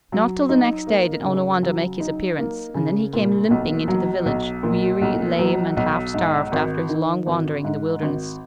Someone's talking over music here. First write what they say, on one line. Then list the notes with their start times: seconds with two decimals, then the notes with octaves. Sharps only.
Not till the next day did Onawandah make his appearance, and then he came limping into the village, weary, lame, and half starved, after his long wandering in the wilderness.
0.12 F#3
0.49 D#4
0.87 A#3
1.24 C#3
1.63 F#3
2.00 D#4
2.37 A#3
2.75 C#3
3.13 A#2
3.51 B1
3.88 F#3
4.25 B1
4.63 A#2
5.01 B1
5.39 F#3
5.77 B1
6.14 G#2
6.52 G#1
6.89 D#3
7.26 G#1
7.64 G#2
8.02 G#1